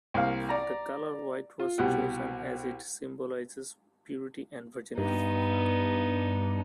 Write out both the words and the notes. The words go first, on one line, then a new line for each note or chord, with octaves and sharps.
The colour white was chosen as it symbolises purity and virginity.
C2 A#3 F5
D5 A#5
F4
C2 B2 G4 F#5
G2 B3 D#4